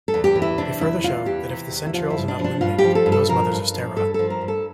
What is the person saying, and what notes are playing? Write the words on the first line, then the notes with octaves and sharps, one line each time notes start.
They further show that if the centrioles are not eliminated, those mothers are sterile.
A4
E2
G4
E3
E4
C3 D4
E2 E4
E2 F4
E3 G4
C3
E2
E4
F3 F4
E4
G2
D4
F3
D4
G2 F4
G4
F3
A4
G2
A4
F3 A#4
G2
F3
G2 A4
F3 A4
A#4
G2
A4